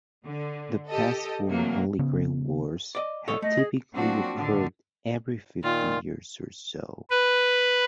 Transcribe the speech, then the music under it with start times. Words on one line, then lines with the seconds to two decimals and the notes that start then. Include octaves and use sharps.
The past four Holy Grail Wars have typically occurred every fifty years or so.
0.25 D3
0.87 G4 A4 D#5
1.51 C3 E3 F#3 A3 A#3
1.99 C#3 B3
2.95 D5 D#5
3.28 A4 C#5 D#5
3.42 A3 D#5
3.57 G#4
3.94 F3 F#3 A#3 C4 D4 F#4
4.36 A2 D3 D#3 D4
5.63 A#2 D#3 F4
7.11 B4